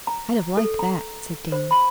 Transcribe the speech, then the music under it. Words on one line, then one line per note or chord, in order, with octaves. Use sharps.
'I'd have liked that!' said Dan.
A#5
A4
A#5
C5
B5